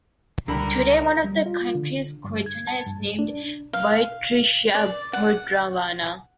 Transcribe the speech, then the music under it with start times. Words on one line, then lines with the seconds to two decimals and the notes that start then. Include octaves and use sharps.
Today, one of the counties in Croatia is named Virovitica-Podravina.
0.48 C#2 D3 G3 A#4 B5
1.24 G3
1.46 F4
1.75 D3
2.24 G2
2.46 G#6
2.67 A5
2.87 G2
3.19 D4
3.73 F5
4.75 D5
5.13 F#5